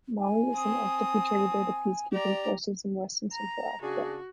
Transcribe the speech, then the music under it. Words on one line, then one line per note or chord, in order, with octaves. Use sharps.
Mali is an active contributor to peacekeeping forces in West and Central Africa.
G#5
C4 D#6
G4 D5 A#5
A#5
C#3 D4 F#4 G#4